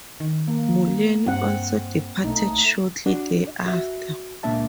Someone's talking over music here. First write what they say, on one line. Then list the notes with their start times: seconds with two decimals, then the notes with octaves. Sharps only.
Mullaney also departed shortly thereafter.
0.20 D#3
0.48 A#3
1.26 G2 C4 F#5
2.24 B1 A3 D#4
3.06 D4 F#4
3.66 F#4 E5
4.43 C#2 A#2 A#3 D4 E5 A5